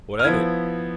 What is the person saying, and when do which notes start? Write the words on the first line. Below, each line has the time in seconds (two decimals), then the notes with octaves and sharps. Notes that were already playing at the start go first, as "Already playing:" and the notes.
"What of it?"
0.19 F6
0.24 F3 B3 E4 G#6